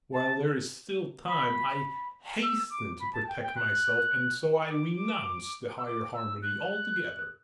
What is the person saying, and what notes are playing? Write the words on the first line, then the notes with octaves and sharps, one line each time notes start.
While there is still time, I hasten to protect myself, and so I renounce the higher harmony altogether.
A5
B5
E6
D6
B5
A5
G5
G5
F#6
D6
E6
D6
E6
F#6